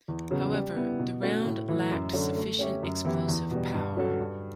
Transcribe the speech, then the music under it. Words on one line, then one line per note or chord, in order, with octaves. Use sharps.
However, the round lacked sufficient explosive power.
E2
C#3 F#3 B3
G3
B3 E4
B2
A3 C#4 F#4 C#5
A2
E3 A3 E4
F#2
D3 F#3 C#4
A3
C#4 G4 C#5 E5
F#2
E3 B3 E4 G4
E2
B2 G3
G2
F#3 C#4 F#4 A4
G2